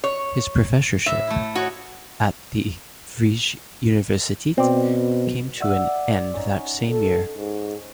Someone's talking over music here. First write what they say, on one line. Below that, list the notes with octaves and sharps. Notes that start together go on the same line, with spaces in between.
His professorship at the Vrije Universiteit came to an end that same year.
C#5
A2 E5
A3 E4
F#4 C#5 D#5
B2 C4 D5
D5 E5 F#5
C#4 D#4
A4
G#2